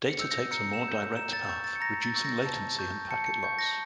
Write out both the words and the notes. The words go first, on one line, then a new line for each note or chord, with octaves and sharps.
Data takes a more direct path, reducing latency and packet loss.
C#7
E6 G6
A#6
A#5 C#7
E7
E6 G6
A#5 E7
A6
C#6 E6 G6
A6
C#7
A#5 A#6
A6
C#6 E6 G6
A#6
A5
C#6 G6
A5 C#7
C#7
C#6 G6 C#7
A#6